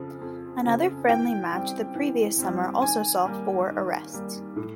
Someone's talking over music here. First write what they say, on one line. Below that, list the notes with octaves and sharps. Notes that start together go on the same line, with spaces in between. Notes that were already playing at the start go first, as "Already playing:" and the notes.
Another friendly match the previous summer also saw four arrests.
Already playing: F2 C#3 F3
F2
C#3 F3
E3 G5
G3 C4
E3
G3 C4
D#3 G#5
G3 A#3
D#3
G3 A#3
A2